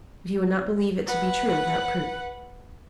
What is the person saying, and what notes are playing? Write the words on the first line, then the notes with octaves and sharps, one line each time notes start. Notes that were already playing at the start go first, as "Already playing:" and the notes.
But he would not believe it to be true without proof.
B4 F#5